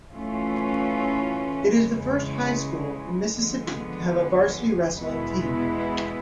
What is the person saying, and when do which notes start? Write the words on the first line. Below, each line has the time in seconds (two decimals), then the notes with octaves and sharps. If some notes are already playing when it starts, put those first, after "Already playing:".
It is the first high school in Mississippi to have a varsity wrestling team.
0.13 E3 A3 C#4 F4
1.75 C#3 E3 G#3
3.38 D3 F3 G#3 B3
5.00 E2 B2 G#3 B3 E4